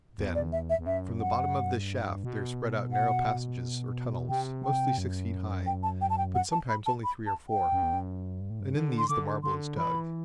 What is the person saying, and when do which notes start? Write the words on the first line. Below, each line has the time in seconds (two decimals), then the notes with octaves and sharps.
Then from the bottom of this shaft there spread out narrow passages or tunnels, mostly six feet high, but sometimes only three or four, and in these the marble is dug.
0.18 E2
0.35 D5
0.52 E5
0.70 E5
0.79 E2
0.86 F#2 E5
1.21 F#5
1.56 G2
1.64 F#2
1.74 G2
2.24 B2
2.93 F#5
4.29 C3 G5
4.64 G5
4.98 F#2
5.66 G5
5.83 A5
6.01 G5
6.10 A5
6.18 G5
6.35 F#5
6.52 A5
6.69 B5
6.86 A5
7.04 B5
7.26 A5
7.49 G5
7.72 F#2
7.83 E2
7.93 F#2
8.41 G2
8.50 A2
8.60 G2
8.75 D3
8.98 C6
9.09 D3 D6
9.43 D3 C6
9.77 E3 B5